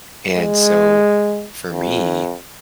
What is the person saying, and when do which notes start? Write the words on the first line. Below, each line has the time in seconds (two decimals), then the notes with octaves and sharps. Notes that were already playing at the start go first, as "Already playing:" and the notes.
and so, for me,
0.36 G#3
1.69 F2